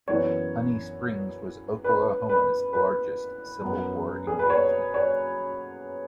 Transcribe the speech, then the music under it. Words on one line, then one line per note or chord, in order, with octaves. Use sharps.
Honey Springs was Oklahoma's largest Civil War engagement.
F#2 E3 B3 C#5
B4
B4
B4
F#2 F#3 B3
G#4
B4
C#5
C#5